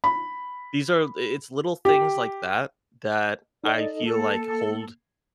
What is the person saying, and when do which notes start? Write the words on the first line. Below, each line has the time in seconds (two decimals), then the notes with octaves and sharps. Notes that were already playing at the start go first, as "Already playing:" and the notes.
these are i it's little things like that, that I feel like hold
0.04 B5
1.85 G4
3.64 D#4 A4 D5 D#5
4.03 A#3 A4